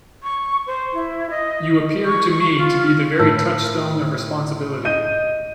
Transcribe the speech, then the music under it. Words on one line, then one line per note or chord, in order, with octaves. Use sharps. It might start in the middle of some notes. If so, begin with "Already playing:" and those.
You appear to me to be the very touchstone of responsibility.
C#6
C5
E4
D#5
C#6
C#6
F4
A2 D#4 A#4
D#5 G6 D#7